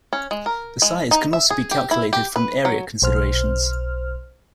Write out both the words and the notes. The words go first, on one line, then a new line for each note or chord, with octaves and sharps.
The size can also be calculated from area considerations.
C#4
G#3
A#4
G#3
D#4
E5
G#4
G4
E4
G4
B4
F#3
B1 C5 F6